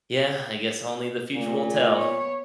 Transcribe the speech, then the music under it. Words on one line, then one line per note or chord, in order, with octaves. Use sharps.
Yeah, I guess only the future will tell.
A#2 A3
B3 C#5